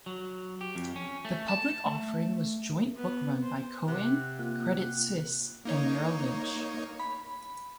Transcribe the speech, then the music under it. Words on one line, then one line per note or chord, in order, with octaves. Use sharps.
The public offering was joint bookrun by Cowen, Credit Suisse and Merrill Lynch.
F#3
G4
F2
C#4
A3
A5
A3
B3
C5
C3 F#5
A#3 F4 F#5
A#3 D#4 C#5
B5